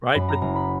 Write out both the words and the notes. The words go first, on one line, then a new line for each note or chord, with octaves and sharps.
Right? But
F#2 B5
A#5
F#1 A#5
B5